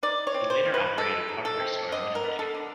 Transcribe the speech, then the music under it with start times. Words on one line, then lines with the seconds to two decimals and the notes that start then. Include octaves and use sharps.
He later operated a hardware store in Winnipeg.
0.03 D#4 D5
0.27 C#5
0.34 C4
0.50 C5
0.66 F3
0.74 B4
0.98 G#3 A4
1.29 D#4
1.45 A4
1.60 C4
1.92 D3 D#5
2.15 A#4
2.24 B3
2.39 A4
2.55 D3